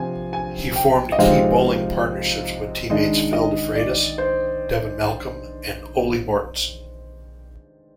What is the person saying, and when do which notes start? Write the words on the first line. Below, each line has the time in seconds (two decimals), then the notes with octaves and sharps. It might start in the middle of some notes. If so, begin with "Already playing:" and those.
He formed key bowling partnerships with teammates Phil DeFreitas, Devon Malcolm and Ole Mortensen.
Already playing: C3 F3 C4 G#5
0.33 G#5
0.76 G5
1.12 D#5
1.18 C3 F3 G#3 C4 D#4 F5
2.90 D#3 G#3 D4 D#5
3.33 D#5
3.75 D5
4.18 C5